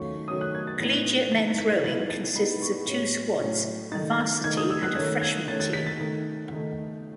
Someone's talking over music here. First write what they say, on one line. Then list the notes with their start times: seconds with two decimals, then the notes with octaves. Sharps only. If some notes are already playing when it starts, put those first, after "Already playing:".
Collegiate men's rowing consists of two squads, a varsity and a freshman team.
Already playing: D#3 F#3 A3 C#4 C#6
0.28 D#3 F#3 A3 C#4 D#6
0.41 F#6
0.55 G#6
0.67 A6
0.80 A2 E3 B3 D#4
1.32 A2 E3 B3 D#4 A6
1.58 B6
1.84 E3 B3 D#4 A6
2.10 A6
2.35 E3 B3 D#4 B5
2.62 C#6
2.87 A2 F#3 C#4
3.40 A2 F#3 C#4
3.92 D#3 A3 D#4 A6
4.18 A6
4.44 D#3 A3 D#4 G#6
4.57 D#6
4.70 E6
4.83 F#6
4.95 D#3 A3 C#4 G#6
5.21 G#6
5.48 D#3 A3 C#4 A6
5.60 A6
5.73 B6
5.87 A6
5.99 D#3 A3 D#4
6.51 D#3 A3 D#4